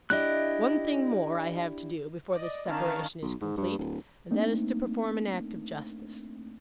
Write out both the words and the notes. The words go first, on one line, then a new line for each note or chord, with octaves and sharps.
'One thing more I have to do, before this separation is complete, and that is to perform an act of justice.
D4 E4 G4 D#5 F#6
D5 D#5
D#3 C#4 D4 F5 A5
B1
G#2
G2
D1
A3 A#3 C4 D4 D#4